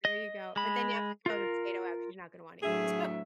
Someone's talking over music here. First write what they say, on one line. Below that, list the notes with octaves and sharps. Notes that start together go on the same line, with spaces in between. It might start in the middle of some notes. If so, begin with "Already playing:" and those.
There you go, but then you have to throw the potato out, 'cause you're not gonna wanna eat it, so
D#5
G#3 B5
F4 A#4
D2 A2 F#3 G#4 E5